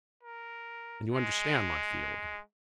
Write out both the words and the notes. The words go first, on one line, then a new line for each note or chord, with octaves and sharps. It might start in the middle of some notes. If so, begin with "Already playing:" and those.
"And you understand my feeling?"
A#4
G#3